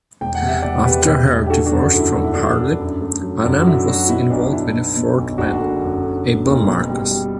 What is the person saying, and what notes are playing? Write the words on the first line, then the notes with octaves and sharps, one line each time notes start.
After her divorce from Harlib, Annan was involved with a fourth man, Able Marcus.
E1 G5
F#5
C3
E5
E1 D5 F#5
C3 G4 B4
C3
E1
G4
D3 F#4 A4
D4 F#4
F#2
D4
D3
E4
F#2 F#4
E4
D3 D4
E4
D3
F#2
A3
F#3
F#2 D4
F#4
F#3 E4
F#3 D4 F#4
B2 E4
B1 D4
D4
B1 E4
B2
B2
B1
F#1 D4 F#4
D3
F#2
D3
D3
F#1
B2
G3
G3